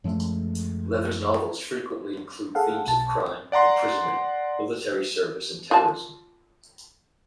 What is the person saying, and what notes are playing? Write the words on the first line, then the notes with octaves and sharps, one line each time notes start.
Leather's novels frequently include themes of crime, imprisonment, military service, and terrorism.
F#2 F3 G#3 A3
G#4 A4 F5 F#5
B1 A5
D5 F#5 A#5 C6
F4 A5